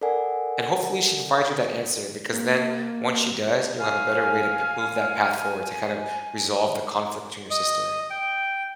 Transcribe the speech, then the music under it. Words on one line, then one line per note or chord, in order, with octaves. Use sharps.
And, hopefully, she provides you that answer because then, once she does, you'll have a better way to pe move that path forward to kind of resolve the conflict between your sister.
A4 A#4 D5 F#5 G#5
A#3
F5 G#5
D#5
G5